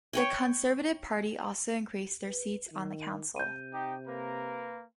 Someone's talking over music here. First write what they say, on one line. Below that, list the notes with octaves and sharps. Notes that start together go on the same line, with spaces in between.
The Conservative Party also increased their seats on the council.
C#5 G5 G#5
B4
D#3
C3 G6 D#7
D#4 G4
A#3 A#4 B4